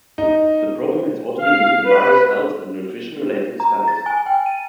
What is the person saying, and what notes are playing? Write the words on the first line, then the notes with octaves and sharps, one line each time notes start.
The program has also been used in various health and nutrition-related studies.
D#4
F5
B4
A#5
A6
G#5
G5
D#7